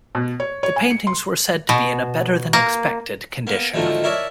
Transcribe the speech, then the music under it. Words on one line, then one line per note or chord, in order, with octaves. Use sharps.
The paintings were said to be in a better-than-expected condition.
B2
C#5
C#5
G#5
C#7
C6
B2
A#3
A#3 B3
D2 G#2 D#3 F3 A3 A#3
E4 A#4 C#5 D5 E5 A5